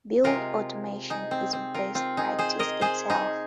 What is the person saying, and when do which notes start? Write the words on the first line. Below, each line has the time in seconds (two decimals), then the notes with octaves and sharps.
Build automation is a best practice itself.
0.24 C3 G#3 F4 A#4
1.10 D#4 G#4
1.31 C4
1.53 C4
1.74 F4 A#4
1.95 C4 F4
2.17 D#4 G#4
2.38 G#4 C5
2.59 A#4 D#5
2.81 G#4 C5
3.10 D#4 G#4